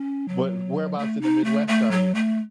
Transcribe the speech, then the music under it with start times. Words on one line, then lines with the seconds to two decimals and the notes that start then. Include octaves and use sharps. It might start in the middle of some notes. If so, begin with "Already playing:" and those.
but whereabouts in the Midwest are you?
Already playing: C#4
0.28 F#3
0.98 A3
1.22 D#4
1.45 A3
1.68 A3
1.91 F#3
2.15 A3